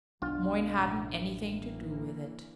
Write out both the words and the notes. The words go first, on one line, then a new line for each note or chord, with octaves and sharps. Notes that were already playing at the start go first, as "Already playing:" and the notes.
Moyne hadn't anything to do with it.
B1 F#2 B2 D4 F4
A1 D#2
E3 A#3